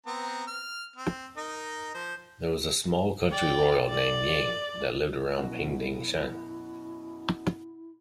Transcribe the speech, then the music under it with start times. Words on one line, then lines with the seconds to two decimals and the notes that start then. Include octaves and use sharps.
There was a small country royal named Ying that lived around Pingdingshan.
0.06 B3 C4 A#5
0.47 F6
0.96 C4
1.37 D#4 A#4 D#5
1.94 F3 C5
3.31 D5 G5
3.89 D5
5.38 F#2 B2 E4 F#4